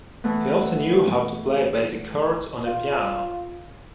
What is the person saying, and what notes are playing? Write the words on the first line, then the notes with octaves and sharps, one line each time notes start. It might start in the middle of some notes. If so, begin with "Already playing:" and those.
He also knew how to play basic chords on a piano.
E3 A3 B3
F4